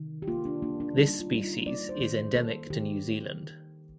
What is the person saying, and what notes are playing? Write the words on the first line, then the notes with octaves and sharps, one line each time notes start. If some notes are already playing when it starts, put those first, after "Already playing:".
This species is endemic to New Zealand.
Already playing: C3 D#3
G4
A#3 F4
D4
A#3 D4
D4
G3 D#4
F4
G3 D#4
F4
A#3 D5
C5
D#3
C5
A#3 A4
D#3 G4